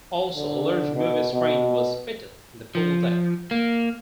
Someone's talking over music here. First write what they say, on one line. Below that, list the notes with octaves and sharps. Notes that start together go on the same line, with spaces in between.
Also, a large movie screen was fitted on the pool deck.
D3
B2
B2
F3
A#3